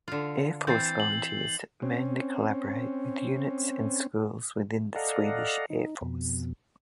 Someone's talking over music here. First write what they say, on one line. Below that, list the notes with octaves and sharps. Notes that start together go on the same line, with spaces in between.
Air Force Volunteers mainly collaborate with units and schools within the Swedish Air Force.
D3 F4
E3 C4 G6 A6 C7
F#7
C4 C#4
A4 D5 D#5 F5 F#5 A#5
D#4
F2 B2